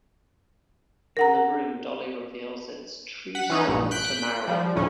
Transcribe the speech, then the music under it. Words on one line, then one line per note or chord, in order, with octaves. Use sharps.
In the room Dolly reveals its true self to Marilyn.
A#4 F#5 A#5
F#5 B6
E3 C#4 D#4
A#1 G2
F#6 G6 B6 D7
F3 G3
D2 A2 C#4